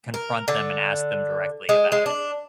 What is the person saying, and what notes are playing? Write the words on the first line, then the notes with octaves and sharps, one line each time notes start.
confront them and ask them directly about it.
A#4
D3
G#3
G#3
D4